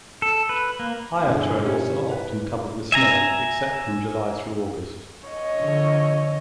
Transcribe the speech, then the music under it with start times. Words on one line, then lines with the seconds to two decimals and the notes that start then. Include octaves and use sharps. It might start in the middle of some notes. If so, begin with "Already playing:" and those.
Higher trails are often covered with snow except from July through August.
0.22 A4
0.49 B4
0.79 A#3
1.27 G2 B2 D3 E3 E4 G#4
1.64 G3 C#4
2.11 B4
2.92 E5 G#5 A#5
5.28 C#5 D#5
5.57 D3 F3